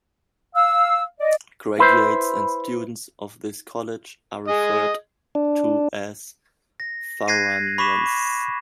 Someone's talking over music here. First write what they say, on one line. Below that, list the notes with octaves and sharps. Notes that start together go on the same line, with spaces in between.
Graduates and students of this college are referred to as "Faranians".
F5 E6
D5 D#5
E4 B4 C5
G#4 D#5
D4
A#6
F#6 G#6 A#6 C7 D#7
B5 C#6 D6 B6 E7